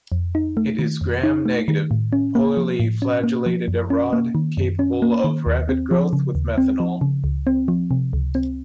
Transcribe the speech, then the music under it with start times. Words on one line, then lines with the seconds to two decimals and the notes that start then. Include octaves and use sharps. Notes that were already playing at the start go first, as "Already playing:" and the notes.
It is Gram-negative, polarly flagellated rod capable of rapid growth with methanol.
0.12 F2
0.35 D#4
0.57 A3
0.79 D#3
1.01 F2
1.23 D#4
1.46 A3
1.68 D#3
1.91 A2
2.13 C#4
2.35 A#3
2.57 F3
2.80 A2
3.02 C#4
3.24 A#3
3.46 F3
3.68 F#2
3.90 C#4
4.13 A#3
4.35 D#3
4.57 F#2
4.79 C#4
5.02 A#3
5.24 D#3
5.46 D#2
5.69 C4
5.91 F3
6.13 C#3
6.35 D#2
6.58 C4
6.80 F3
7.01 C#3
7.24 C#2
7.47 C4
7.68 F3
7.91 C3
8.13 C#2
8.35 C4